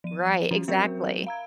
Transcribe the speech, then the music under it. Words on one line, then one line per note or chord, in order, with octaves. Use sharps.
Right, exactly.
F3 D#7
F3 C#4
F#3 C4 A#4 E5
F5 A#5 G#6